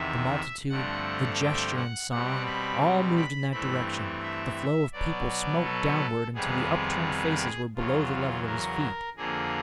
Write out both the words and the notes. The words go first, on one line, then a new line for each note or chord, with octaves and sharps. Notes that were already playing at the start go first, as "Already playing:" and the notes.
The multitude, the gesture and song, all moved in that direction, the flow of people smote downward until the upturned faces were below the level of his feet.
Already playing: E2 C3 D#3 E5
G2 D3 F3 A3 C4 F#5
G5
F#5
B2 G3 C4 F#5
B5
B5
G2 E3 A3 C4 B5
E5
B2 F#3 B3 D5
A4
F2 C3 D#3 G3 B3 G#4
E2 C#3 F#3 F4
A#4
F2 D3 F3 A#3 G#4